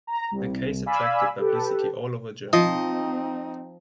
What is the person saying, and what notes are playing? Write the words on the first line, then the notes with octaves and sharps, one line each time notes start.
The case attracted publicity all over Germany.
A#5
C2
D5 F5 G#5 B5 E6
G4 A4 B4
F3 C4 D#4 D#5